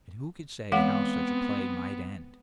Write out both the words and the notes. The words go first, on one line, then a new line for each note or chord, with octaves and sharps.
And who could say how such a play might end?
E3 G#3 B3 C4 F#5